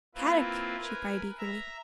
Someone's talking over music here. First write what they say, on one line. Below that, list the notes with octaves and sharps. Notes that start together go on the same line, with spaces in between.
"Kadok!" she cried eagerly.
A#3 C4 E4 F4 B4
A#4 B4 G#5
E5 A#5